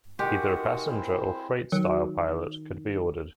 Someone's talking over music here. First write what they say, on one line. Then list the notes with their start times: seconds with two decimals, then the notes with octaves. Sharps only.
Either a passenger or freight style pilot could be ordered.
0.19 D#3 G#3 F#4 G4 F#5
0.86 C4 E4 C5
1.72 D#3 F#3